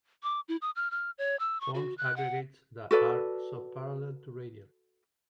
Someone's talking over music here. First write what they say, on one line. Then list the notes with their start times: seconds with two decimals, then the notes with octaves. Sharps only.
Forms aggregates that are subparallel to radial.
0.23 D6
0.49 E4
0.62 D#6
0.76 F6
0.91 F6
1.18 C#5
1.40 E6
1.61 C#6
1.75 F#4
1.98 F#6
2.16 F#5
2.91 F#4 A4 B4 D5